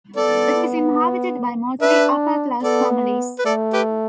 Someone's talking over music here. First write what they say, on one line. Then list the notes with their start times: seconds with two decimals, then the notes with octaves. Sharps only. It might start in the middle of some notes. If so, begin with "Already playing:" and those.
It is inhabited by mostly upper-class families.
0.16 B3 A4 D5
1.81 D4 B4 E5
2.62 B3 A4 D5
3.39 B4
3.45 A3 A4 D5
3.73 G4 B4